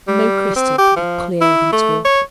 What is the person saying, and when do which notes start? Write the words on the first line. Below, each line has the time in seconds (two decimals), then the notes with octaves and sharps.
No crystal could be clearer than its waters.
0.08 G3
0.56 C4
0.78 G4
0.96 F3
1.41 E4
1.72 A3
2.05 C#5